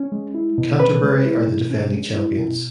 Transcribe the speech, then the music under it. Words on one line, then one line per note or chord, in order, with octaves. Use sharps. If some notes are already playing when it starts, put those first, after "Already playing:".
Canterbury are the defending champions.
Already playing: C#4
G#3
E4
B2
C#4 B4
G#3
E4
B2
C#4
G#3
E4
B2